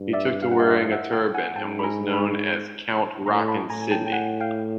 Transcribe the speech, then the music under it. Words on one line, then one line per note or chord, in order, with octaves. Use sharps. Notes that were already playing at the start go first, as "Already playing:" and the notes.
He took to wearing a turban and was known as "Count Rockin' Sidney".
Already playing: G2
D5 E5
F5
F#5
D#5 F5
E5
D#5 F5
E5 F#5
F5 G5
F#5 G#5
G#2 G5 A5
B5
G#5 A#5
A5 B5
A2 A#5 C6
A5 B5
A2 G#5 A#5
G#5
G5 A5
G5
F#5 G#5
F5 G5